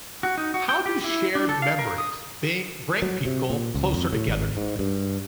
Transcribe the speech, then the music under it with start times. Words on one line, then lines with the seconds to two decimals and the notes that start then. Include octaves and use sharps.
How do shared memories bing bring people closer together, do you think?
0.23 F#4
0.38 D#4
0.54 F#4
0.69 G5
0.86 G4
1.04 E4
1.35 D4
1.49 A4
1.62 F5
1.79 A#4
1.98 D#6
3.02 F#3
3.25 C3
3.50 A#2
3.74 C#2
3.93 F2
4.13 A2
4.28 G#1
4.57 G#2
4.79 G2